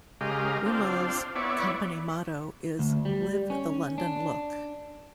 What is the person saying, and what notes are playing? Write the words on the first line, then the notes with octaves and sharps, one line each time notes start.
Rimmel's company motto is "Live the London Look".
C#3 G#3 G4 A#4 D#5 F5
C4 D4 F4
B3 E4 C#5 D5
D2
G3
C#4
D4